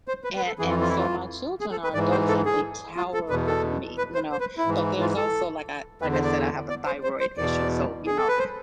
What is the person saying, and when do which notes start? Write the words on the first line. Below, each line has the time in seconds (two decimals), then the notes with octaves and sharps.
a and so my children are adults and they tower over me, you know, but, there's also, like, I like I said, I have a thyroid issue, so, you know,
0.08 C5
0.24 B4
0.37 B4
0.47 A4
0.59 F2 E3 G#4
0.70 F4
0.81 F4
0.89 E4
0.97 F4
1.61 G#4
1.71 A4
1.84 B4
1.94 G#2 E3 D5
2.11 C5
2.28 A4
2.45 G#4
2.96 F4
3.14 A4
3.30 E2 B2 B4
3.47 A4
3.98 B4
4.15 C5
4.32 C5
4.40 B4
4.57 E4
4.66 G#2 E3
5.01 F4
5.17 A4
6.02 E2 D3 B4
6.13 C5
6.24 D5
6.70 D5
6.86 C5
7.03 C5
7.20 C5
7.38 E2 B2 D5
8.07 G#4
8.17 A4
8.28 B4
8.39 C5